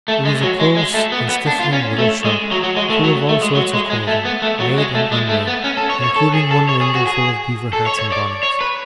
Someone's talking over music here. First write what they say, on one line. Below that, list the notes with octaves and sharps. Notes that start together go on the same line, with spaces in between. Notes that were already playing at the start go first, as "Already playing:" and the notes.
It was a close and stifling little shop; full of all sorts of clothing, made and unmade, including one window full of beaver-hats and bonnets.
A3
G#3
F#3
G#3
G#3
A3
B3
B3
D4
F4
C#4
A3
G#3
F#3
F#3
G#3
A3
F#3
A3
G#3
F#3
G#3
G#3
A3
B3
A3
F#3
G#3
A3
G#3
A3
B3
C#4
A4
C#5
C#5
A4
G#4
A4
C#5
G#4
F#4
G#4
A4
C#5
C#5
D5
C#5
B4